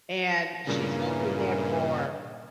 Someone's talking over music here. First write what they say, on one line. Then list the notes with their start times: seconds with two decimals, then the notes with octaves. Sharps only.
And she's been doing that for
0.67 G2 A#2 C#3 E3 A#4